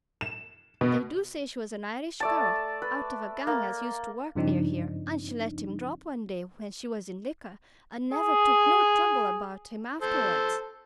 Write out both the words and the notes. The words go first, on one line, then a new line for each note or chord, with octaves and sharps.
They do say she was an Irish girl, out of a gang as used to work near here--an' she let him drop one day when she was in liquor, an' never took no trouble about him afterwards.
E7
B2
A3 D5 A5
B4
A#3
G2 C#3 F3 C4 D4 D#4
G#4
A4 C5